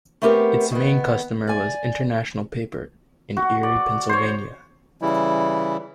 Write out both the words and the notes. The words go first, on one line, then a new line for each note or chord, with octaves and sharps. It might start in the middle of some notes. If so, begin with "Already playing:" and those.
Its main customer was International Paper in Erie, Pennsylvania.
A3 B3 C4 G4 A#4
D#3 B3
D5 G#5
F#4
D5
C5 C#5
C#3 E3 G3 E4